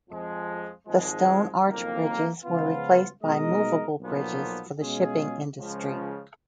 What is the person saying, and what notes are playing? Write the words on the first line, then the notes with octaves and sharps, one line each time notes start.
The stone arch bridges were replaced by movable bridges for the shipping industry.
F2 F3 G#3
G#1 G#2 F3 G#3
F#1 F2 D#3 A#3
C#2 C#3 F3 B3 F4
B2 G#3 D#4 A#4 D#5
B1 A#2 F3 B3
B2 G#3 C#4 F4 G#4
C#2 C#3 F3